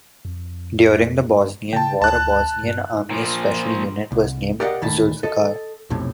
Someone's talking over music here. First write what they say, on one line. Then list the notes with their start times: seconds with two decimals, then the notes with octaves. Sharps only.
During the Bosnian War, a Bosnian army's special unit was named "Zulfikar".
0.25 F2
1.73 C#3 G5 A5
2.02 D2 A5 F#6
2.63 G2
3.11 A#2 F3
4.12 C2
4.60 G4 A#4 D5 D#5 F5 F#5
4.82 D2 A#2 D#3 A3 A5 B5
5.23 A4 D#5
5.90 B1 F2 A2 C3